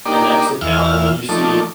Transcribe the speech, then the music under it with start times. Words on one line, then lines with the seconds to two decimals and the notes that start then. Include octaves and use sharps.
an X account, and then you see
0.05 A#3 D4 D#4 G4 D5
0.61 E2 E5 F5 F6
1.29 F3 A3 D#4 A4 D5